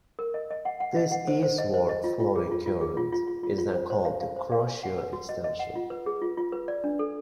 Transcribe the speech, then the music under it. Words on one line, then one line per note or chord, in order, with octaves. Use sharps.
This eastward flowing current is then called the Kuroshio Extension.
A#4
D#5
D#5
F#5
F#5
D#5
F#5
C5
C5
D#5
C5
D#5
F4
F4
G#4
F4
F4
G#4
F4
F4
F4
F4
F4
C5
C5
F5
F5
C5
F5
G#5
F#5
B4
F#4
D#5
D#5
F#5
F4
B4
G#4
F4
F4
B4
D5
D4
A4